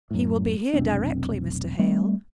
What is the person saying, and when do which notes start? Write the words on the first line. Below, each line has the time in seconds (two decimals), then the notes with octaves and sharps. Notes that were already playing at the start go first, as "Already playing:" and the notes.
He will be here directly, Mr. Hale.
0.11 F#2 A2
0.73 F1 B1 C4 D4
1.79 G3 A3 C4